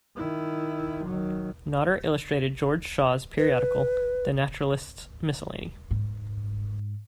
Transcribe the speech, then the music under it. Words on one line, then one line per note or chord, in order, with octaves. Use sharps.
Nodder illustrated George Shaw's periodical "The Naturalist's Miscellany".
D#3 E4
D#3 F#3
B4
G#2